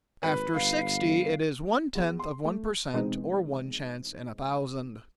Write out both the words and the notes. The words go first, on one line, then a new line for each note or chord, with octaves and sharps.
After sixty it is one-tenth of one per cent, or one chance in a thousand.
G#1 B4
G1 F5
E2
C6
A3
B2 E3 G#3 C4 D#4